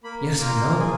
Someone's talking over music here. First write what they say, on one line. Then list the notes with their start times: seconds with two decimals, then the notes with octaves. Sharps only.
"Yes, I know."
0.04 A#3 B5
0.41 F4 A#5
0.79 G#4 G#5